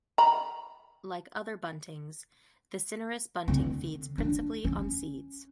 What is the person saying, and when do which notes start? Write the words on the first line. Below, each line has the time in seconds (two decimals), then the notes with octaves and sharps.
Like other buntings, the cinereous bunting feeds principally on seeds.
0.18 A#5 B5
3.48 D3 C4
4.18 D4
4.65 C#4